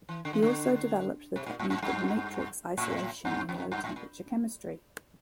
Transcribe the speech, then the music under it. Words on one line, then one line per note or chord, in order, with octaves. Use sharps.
He also developed the technique of matrix isolation in low-temperature chemistry.
E3
D3
E3
D3
C3
A#2
A2
A2
G2
A2
G2
F2
G2
A2
A#2